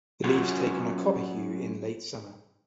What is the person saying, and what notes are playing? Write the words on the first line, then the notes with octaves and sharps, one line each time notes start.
The leaves take on a copper hue in late summer.
F#3 C#4 F4 F#4